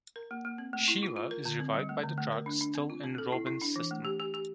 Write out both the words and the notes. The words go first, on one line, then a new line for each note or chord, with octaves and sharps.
Shiva is revived by the drug still in Robin's system.
A#4
A#3
A#3
C4
A3
E4
F4
F4
A#4
D3
C4
G3
A3
D3
A3
A#4
D4
D4
C4
F4
C4
A4
E4
E4
D4
E3
A3
G4
G4
G4